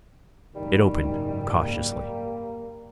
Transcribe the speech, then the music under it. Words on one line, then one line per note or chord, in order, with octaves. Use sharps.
It opened cautiously.
F#1 G#2 D#3 G3
A#3